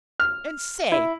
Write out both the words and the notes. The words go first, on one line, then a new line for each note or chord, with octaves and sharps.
And say!
F6
E4